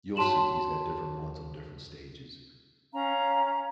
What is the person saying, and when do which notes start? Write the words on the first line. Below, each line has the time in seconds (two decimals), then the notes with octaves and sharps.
You'll see, he's got different ones on different stages.
0.16 F#4 C#5 A5 C6 E7 F#7
2.94 C#4 F5 A#5